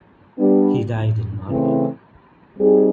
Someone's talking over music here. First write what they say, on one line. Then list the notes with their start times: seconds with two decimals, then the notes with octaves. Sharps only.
He died in Marburg.
0.39 G3 B3 D4
1.48 C#3 E3 A3 C4 E4
2.58 G3 C4 D#4 G#4